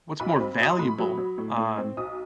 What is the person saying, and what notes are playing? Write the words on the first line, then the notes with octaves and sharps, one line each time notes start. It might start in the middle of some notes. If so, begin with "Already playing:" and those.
what's more valuable, um
B1 B5
C4
B1 D#6
C6
A2 B5
F#3
F#3
A2
A2
C4
B1 D#6